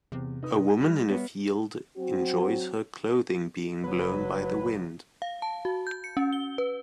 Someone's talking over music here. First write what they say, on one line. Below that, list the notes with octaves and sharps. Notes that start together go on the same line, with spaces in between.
A woman in a field enjoys her clothing being blown by the wind.
E2 C3
D#4 B4 D#6
G3 B5 F6
B3 C#5 E5 F#5
F#3 C4 F#4
F#1 F#3 B4
F5
A5
F#4
G6
C#7
C#4
G7
B4